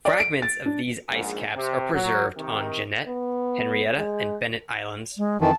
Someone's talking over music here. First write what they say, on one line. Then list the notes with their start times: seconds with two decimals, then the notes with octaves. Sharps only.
Fragments of these ice caps are preserved on Jeannette, Henrietta, and Bennett Islands.
0.05 D5
0.20 D7
0.42 A6
0.66 D4
1.10 A#1 G#2
1.56 C3
1.93 F#3
2.36 C3 D#3
3.07 B3
3.97 G#3
5.18 G#3
5.41 F2 D#3 E3 A5